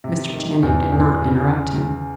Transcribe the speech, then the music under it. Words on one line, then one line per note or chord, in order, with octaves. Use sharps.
Mr. Channing did not interrupt him.
C3
D#3
E2
E2
C#3